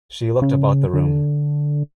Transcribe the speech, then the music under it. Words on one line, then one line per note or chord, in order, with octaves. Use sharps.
She looked about the room.
C#3
D3